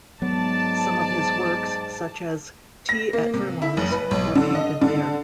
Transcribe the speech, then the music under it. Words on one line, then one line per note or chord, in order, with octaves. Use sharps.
Some of his works, such as "Tea at Furlongs", were painted there.
G#2 F#3 B3 D5 A5
A#6
A#3
C3
E4
F#1
B4
B1
D3
D#5
D3